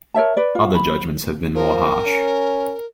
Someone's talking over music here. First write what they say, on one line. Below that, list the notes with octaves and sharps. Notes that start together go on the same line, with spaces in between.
Other judgments have been more harsh.
A#4 C#5 E5 A5
B4 D5
F4
B5
F3 A#4
C#4